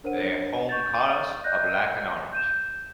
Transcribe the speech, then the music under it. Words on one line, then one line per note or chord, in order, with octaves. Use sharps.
Their home colours are black and orange.
D4 A#4 C5 C#5 F#5 D#7
C#6 G6 A6
D5 D#5 F#6 G6 A#6
G6 D#7 E7